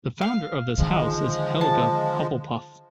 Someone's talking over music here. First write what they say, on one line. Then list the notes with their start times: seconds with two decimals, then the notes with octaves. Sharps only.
The founder of this house is Helga Hufflepuff.
0.21 F5
0.78 D3 D#3 F3 G#3
1.61 A5